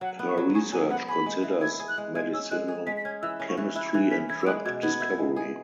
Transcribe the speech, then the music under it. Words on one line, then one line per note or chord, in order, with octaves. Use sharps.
Her research considers medicinal chemistry and drug discovery.
F#3 F#5
B3
C#6
F#3
G#4 C#6
F#3 G#5
B3 F#5
G#4 B5
G#3
E3
E4 G#6
G#4
F#6
G#3
G#3 G#6
C#4 E6
G#3 F#6
G#4
G#3 B6
B6
C#4 G#6
E3 E6
C#4
C#6
E3
E4 F#6
E3 G#6
C#4 B6
E4 G#6
E6
G#3 F#6
B2 G#6
B3 G#6
E4
G#3
G#4